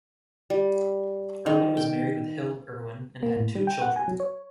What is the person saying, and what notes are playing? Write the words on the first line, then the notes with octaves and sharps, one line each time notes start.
Erwin was married with Hille Erwin and had two children.
G3
D#3
G5
A#3
A2
G3
G5
F#5
G#5
F#3
C#5